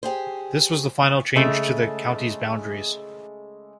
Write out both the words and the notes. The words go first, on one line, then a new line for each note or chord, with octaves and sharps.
This was the final change to the county's boundaries.
G4 G#4 C5
C#3 G#3 A3 E5